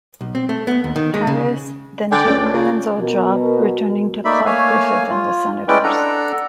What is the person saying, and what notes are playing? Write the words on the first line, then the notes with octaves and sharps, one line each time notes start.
Harris then took Cronin's old job, returning to Clark Griffith and the Senators.
B1
C4
A3
B3
D#2
D#3
G#3
C#3
D3 D5 G5 G#5 D6
C#2 A3 C#4
D4
C#3 F4
B2 F#4 A#4
A3 A#3 D#4 D5 E5 B5
A3 A#3 C#5 F5 G#5
F4
G#3 C#4 E4 B4 D5 G5
D4 A4 F#5 A#5